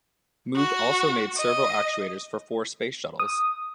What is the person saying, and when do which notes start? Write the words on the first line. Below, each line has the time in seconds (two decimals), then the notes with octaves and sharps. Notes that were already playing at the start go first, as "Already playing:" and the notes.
Moog also made servo-actuators for four Space Shuttles.
0.56 F#4
1.37 D#5
3.20 D#6